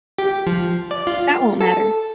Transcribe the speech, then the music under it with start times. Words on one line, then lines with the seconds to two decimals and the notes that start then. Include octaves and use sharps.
That won't matter.
0.18 G4
0.47 F3
0.91 D5
1.07 F4
1.60 A4